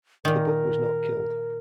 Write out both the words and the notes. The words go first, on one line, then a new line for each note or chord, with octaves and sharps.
The book was not killed.
A#2 D#3 A#4